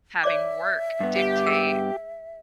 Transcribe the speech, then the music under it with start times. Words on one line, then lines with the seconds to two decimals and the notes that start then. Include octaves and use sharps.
having work dictate
0.24 C#5 D5 E5 D6
1.00 G2 B3
1.16 G4
1.46 G#4 E6